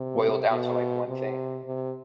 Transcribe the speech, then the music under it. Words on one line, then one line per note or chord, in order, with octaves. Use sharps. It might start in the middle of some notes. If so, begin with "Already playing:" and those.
boil down to, like, one thing.
Already playing: C3
B2
C3
C3